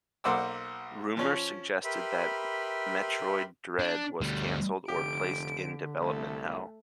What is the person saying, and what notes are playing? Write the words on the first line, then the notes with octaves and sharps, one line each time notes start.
Rumors suggested that "Metroid Dread" was cancelled or placed in development hell.
B1 A#3 C5 F#5 D6 E6
F3 C#4
G4 A#4 B4 E5 B5 C6
D4
D2 G3
F1 D3 G4 D7
C2 A3